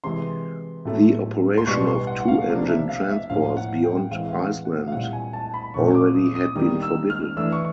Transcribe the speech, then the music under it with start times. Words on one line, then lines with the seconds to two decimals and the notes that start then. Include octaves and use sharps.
The operation of two-engine transports beyond Iceland already had been forbidden.
0.04 C3 E3 G#3 C6
0.85 A2 F#3 A3
1.58 C6
1.67 B2 G3 B3 D4 C#6
1.87 C6
2.07 F#5
2.20 F#5
2.28 F5
2.48 C3 F3 A#3 D4
2.68 E5
2.89 F5
3.09 E5
3.30 A2 F3 A#3 C#4 F5
3.57 F#5
3.84 G5
4.11 E3 G#3 C4 E4 F5
4.29 F5
4.38 F#5
4.65 F#5
4.88 F5
4.92 A#2 G3 C4 E4 F#5
5.13 G#5
5.33 A5
5.54 B5
5.74 A#2 F3 A3 D4 C#6
5.95 D6
6.15 D#6
6.35 D#6
6.55 D#3 G3 A#3 D#4 D#6
6.82 E6
7.10 F6
7.37 E3 A3 D4 E6
7.52 C#6